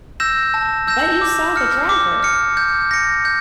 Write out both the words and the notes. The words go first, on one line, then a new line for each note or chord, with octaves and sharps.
But you saw the driver!
E6 G6 A#6 E7
A5
E6 G6 A#6 E7
D6
F6 C#7
D6
F6 C#7
G6
A#6 C#7
G6